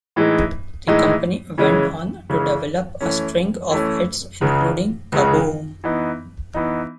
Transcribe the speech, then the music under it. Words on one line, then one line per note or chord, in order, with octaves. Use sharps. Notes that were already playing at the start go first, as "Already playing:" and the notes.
The company went on to develop a string of hits including Kaboom!
A2 E3 G#3 D#4
A2 E3 G#3 D#4
C#3 E3 G#3 C#4
C#3 E3 G#3 C#4
E3 A3 C#4
E3 A3 C#4
C#2 C#3 G#3
C#2 C#3 G#3
E3 B3 D#4
E3 B3 D#4